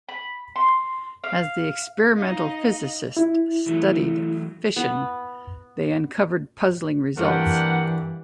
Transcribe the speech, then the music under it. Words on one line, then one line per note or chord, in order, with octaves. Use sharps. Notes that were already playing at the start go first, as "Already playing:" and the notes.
As the experimental physicists studied fission, they uncovered puzzling results.
B5
C6
F5
D#4 D#5 F5
E4
E3 F#3 A3
B3
G2 E3 A#3 D4 G4 F#5